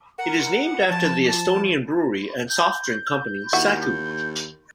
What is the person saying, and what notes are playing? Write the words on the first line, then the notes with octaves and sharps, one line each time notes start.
It is named after the Estonian brewery and soft drink company Saku.
A#4 F#5
F3 A5
A5
G6
D#2 E4 F#4